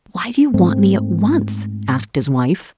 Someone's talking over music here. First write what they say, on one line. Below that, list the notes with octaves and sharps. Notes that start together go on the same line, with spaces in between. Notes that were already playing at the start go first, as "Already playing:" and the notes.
"Why do you want me at once?" asked his wife.
G#2 A3 C4